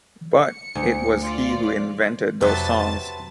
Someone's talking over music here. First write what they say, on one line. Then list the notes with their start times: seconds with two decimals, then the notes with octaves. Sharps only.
But It was he who invented those songs.
0.46 C#7
0.75 D2
1.21 F4 D5
2.41 F2 C3 F#3 B4 C5 F#5 A5 A6